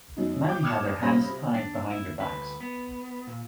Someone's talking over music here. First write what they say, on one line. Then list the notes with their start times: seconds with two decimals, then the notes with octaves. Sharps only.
Many had their hands tied behind their backs.
0.17 F#2 B2 D#4
0.48 G5 D6 G6
0.63 D6 D#6 F6 G#6 C#7 E7
1.01 G1 C3 C#4 C5 B5 A#6
1.29 C3
1.54 D4
1.91 E4
2.18 D2 B4
2.61 B3
3.27 A#2